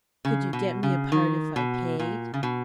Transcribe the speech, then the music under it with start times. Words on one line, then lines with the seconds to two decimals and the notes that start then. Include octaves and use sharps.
"Could you get me a part if I paid?"
0.25 C#3
0.53 B2
0.83 C#3
1.12 D#3
1.56 B2
1.99 A#2
2.34 C#3
2.43 B2